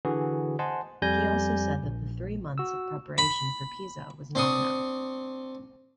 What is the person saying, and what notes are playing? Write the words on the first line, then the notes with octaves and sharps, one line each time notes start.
He also said that the three months of preparation for Pisa was not enough.
D3 E3 F#4 G#4 B4
C5 D#5 F#5 G#5 A5 C6
F2 G3 G#5 G6 A#6
A#1
F#4 E6
B5
C4 D4 C6 C#6 D#6